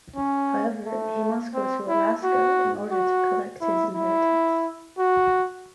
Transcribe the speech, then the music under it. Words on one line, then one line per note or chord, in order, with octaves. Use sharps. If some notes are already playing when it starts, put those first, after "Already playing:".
However, he must go to Alaska in order to collect his inheritance.
C#4
A3
C4
E4
F#4
F#4
E4
E4
F#4